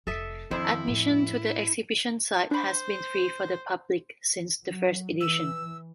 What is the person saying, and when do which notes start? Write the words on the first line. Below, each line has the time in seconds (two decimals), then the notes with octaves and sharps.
Admission to the exhibition site has been free for the public since the first edition.
0.07 F1 A4 D#5 E5
0.51 F2 D#3 E4 C5
0.88 A2
2.51 D4 C5 B5
4.65 F#3
5.20 E3 E6